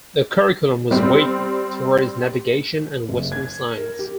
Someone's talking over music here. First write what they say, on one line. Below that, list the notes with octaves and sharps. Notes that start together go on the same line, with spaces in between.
The curriculum was weighed towards navigation and western science.
G3 C4
F#1
G#6
A#4
G4